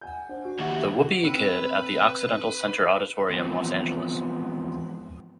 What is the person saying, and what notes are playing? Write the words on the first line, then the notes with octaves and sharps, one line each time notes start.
"The Whoopee Kid," at the Occidental Center Auditorium, Los Angeles.
F#5 G#5 G6
D4 C5 F#5
F#4
D#2 D#4 F#4 G4 E5
E4 G4 F#6
C4 B4 E6
G#2 E3 F3 B3 C4